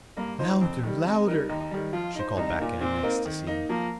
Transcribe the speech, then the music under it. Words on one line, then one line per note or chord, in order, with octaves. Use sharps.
"Louder, louder!" she called back in an ecstasy.
G2 A#3
F3 D#4 C5
F2 C4
D#3 G3
C3 D#4
G3 D#4 A#4
D#2 D#4
D#3 G3
F3 F4
D#4 C5
C2 D#4
A#2 A#3
A#2 C4
A#3 D#4 A#4
D#3
A#3 D#4
F3 A#3